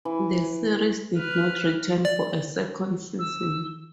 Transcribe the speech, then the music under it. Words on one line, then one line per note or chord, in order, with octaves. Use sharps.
The series did not return for a second season.
E3
B4 F6
D5
E6